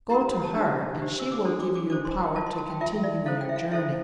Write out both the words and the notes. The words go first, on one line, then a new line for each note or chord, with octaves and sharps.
Go to her and she will give you power to continue your journey.
E4 G4 A#4 A#5
A#5
G5
A5
D4 G4 C5 A#5
D4 G4 C5
E6
D6
D4 A4 C5 C6
D6
D6
D4 A4 C5 D6
C6
G5
F4 A#4 A5
C6
A5
G5
F4 A#4 E5
E5
D5
E4 A4 C5 F5
G5
E5
F5
E4 A4 C5 E5